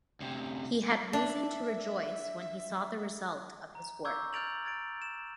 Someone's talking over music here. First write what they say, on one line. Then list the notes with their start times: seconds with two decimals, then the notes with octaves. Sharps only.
He had reason to rejoice when he saw the result of his work.
0.20 D2 C3
1.13 D4 E5
3.75 A#5
4.05 A#5 C#6 D6 E6 G6 G#6
4.33 F6 G6 A6 D7 F7 F#7
4.65 G#6 A6 D7
5.02 E7